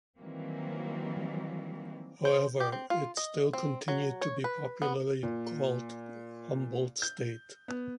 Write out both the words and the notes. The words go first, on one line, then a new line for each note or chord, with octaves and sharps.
However, it still continued to be popularly called Humboldt State.
D#3 E3 F#3 G3 A#3 C4
C5
G4
C4
F4
D#5
C4
F#3
C#5
B4
B3
A#2
G6
B3